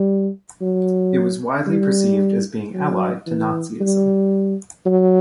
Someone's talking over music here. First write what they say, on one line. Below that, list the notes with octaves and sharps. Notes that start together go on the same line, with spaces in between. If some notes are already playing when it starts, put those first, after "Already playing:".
It was widely perceived as being allied to Nazism.
Already playing: G3
F#3
G3
F#3
E3
G3
F#3